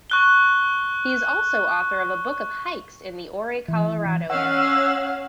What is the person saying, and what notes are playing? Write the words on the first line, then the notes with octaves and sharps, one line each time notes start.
He is also author of a book of hikes in the Ouray, Colorado area.
C#6 F#6 G7
E3
C#4 F5 F#5 E6